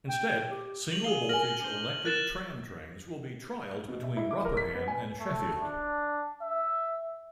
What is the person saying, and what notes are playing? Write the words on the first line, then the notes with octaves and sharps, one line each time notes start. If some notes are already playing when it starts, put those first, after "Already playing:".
Instead single-voltage electric tram-trains will be trialled between Rotherham and Sheffield.
G5
G4
D#7 F7 F#7
G#4 F5 D#7 G7
A#4 G#5 F6 A#6 F#7
D4 C5
A#4 F#6 A6 E7
B2
E5
E4
D6
A#4
B6
B3
G#5
A3
D4
E5